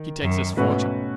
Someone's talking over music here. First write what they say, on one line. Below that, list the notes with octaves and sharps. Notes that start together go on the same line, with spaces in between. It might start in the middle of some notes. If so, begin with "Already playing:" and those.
He takes his fortune.
Already playing: D#3
F#2
G#2 B2 A3 C#4 F#4 B4